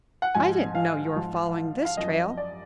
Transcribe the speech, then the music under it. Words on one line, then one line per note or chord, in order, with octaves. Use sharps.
I didn't know you were following this trail.
F#5
G#2 F3 G#5
F5
G#2 F3
F5
F#2 F3 D#5
D5